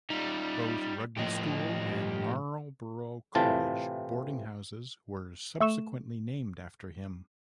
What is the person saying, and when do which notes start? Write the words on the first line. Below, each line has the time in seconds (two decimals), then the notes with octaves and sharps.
Both Rugby School and Marlborough College boarding houses were subsequently named after him.
0.10 G3 D#4 F4
1.17 A2 F3 G4 D#5
3.35 A2 C3 E3 F4 A5
5.61 A3 A4 C#6 E7